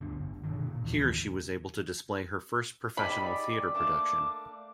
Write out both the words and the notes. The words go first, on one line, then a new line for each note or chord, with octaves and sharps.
Here she was able to display her first professional theatre production.
D1 G2 D3
G1
B2 D3 D#3
A#2
D#2 C3 D#3 E3
G3 D#4 G#4 D5 B5
A3 A#3 D4 D6